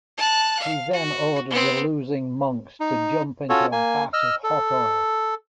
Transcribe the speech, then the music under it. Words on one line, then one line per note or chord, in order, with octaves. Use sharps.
He then ordered the losing monks to jump into a vat of hot oil.
A5 F#6
F5
F#4
B3 C4
D#4
C#4 F4 F#4 A4 C#5
A#3 G#5
D#5 E6 F6
A4